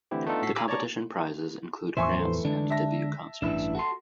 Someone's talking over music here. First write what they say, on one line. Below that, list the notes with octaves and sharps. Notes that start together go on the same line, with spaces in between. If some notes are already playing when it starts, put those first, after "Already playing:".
The competition prizes include grants and debut concerts.
D3 E3 A3 C4 E4 G4
A3 B3 D4 D#4 F4 A4
A2 F#4 A4 B6 C7
F5 G#5 A#5 B5 D6 E6
C#5 D5 A5 A#5 C#6
E2 A2 F3 C5 E5 G#5 C#6
E3 A3
D3 G#3 D4
E5 A5 A#6
A1 G2 D4 E4 B4
F#4 A4 C6